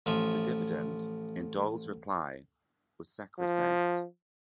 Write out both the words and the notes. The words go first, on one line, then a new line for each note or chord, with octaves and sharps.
The dividend, in Doyle's reply, was sacrosanct.
A1 F3 E5
F3